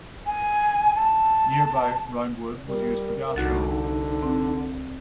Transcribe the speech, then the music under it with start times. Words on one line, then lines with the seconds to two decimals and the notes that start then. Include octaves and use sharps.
Nearby Round Wood was used for gas training.
0.26 G#5
0.95 A5
2.68 G3 A#4
3.36 C2 D3 D#4 F#4 F#5 A6
4.23 C4